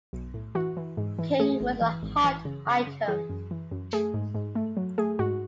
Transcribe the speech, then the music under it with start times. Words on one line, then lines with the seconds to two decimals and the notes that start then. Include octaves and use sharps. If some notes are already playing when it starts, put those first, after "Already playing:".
King was a hot item.
0.13 B1
0.34 A2
0.55 E3 F#4
0.77 E3
0.97 G#2
1.19 E3
1.40 A3 G#4
1.61 G#1
1.81 E3
2.03 G#1
2.24 E3
2.45 C#3
2.67 C#3
2.87 C#3
3.08 E3 G#4
3.30 F#2
3.51 E3
3.71 F#2
3.93 A3 G#4
4.14 G#2
4.35 G#2
4.55 A3
4.77 F#3
4.98 A3 G#4
5.19 G#2 F#4